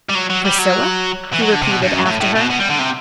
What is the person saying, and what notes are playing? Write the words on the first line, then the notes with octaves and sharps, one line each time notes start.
"Priscilla?" he repeated, after her.
G3
F#3
F#3
G3
F#3
E3
F#3
D3
C3
B2
G2
F#2
A2
A2
B2
B2
G3
D3
C3